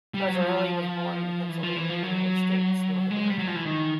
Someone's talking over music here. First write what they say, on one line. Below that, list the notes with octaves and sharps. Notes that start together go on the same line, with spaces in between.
Garzarelli was born in Pennsylvania, United States, North America.
G3
F#3
F3
E3
F3
E3
F3
F#3
G#3
G3
F#3
F3
E3
D#3